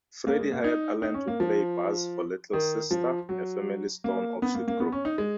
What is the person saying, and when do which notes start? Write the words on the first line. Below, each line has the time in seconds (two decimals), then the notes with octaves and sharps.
Freddie hired Allen to play bass for Little Sister, a Family Stone offshoot group.
0.27 A#3
0.39 G#3
0.52 A#3
0.64 D#4
1.02 D#4
1.14 C#4
1.28 A#3
1.40 F3
2.53 D#3
2.91 F3
3.29 F#3
4.04 A#3
4.42 B3
4.55 A#3
4.68 A#3
4.80 B3
4.92 C#4
5.05 D#4
5.18 G#3